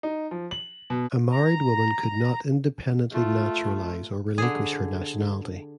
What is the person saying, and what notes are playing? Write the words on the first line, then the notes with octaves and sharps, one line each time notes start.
A married woman could not independently naturalize or relinquish her nationality.
D#4
F3
F#7
B2
A#5
A3 F4
D3 G#4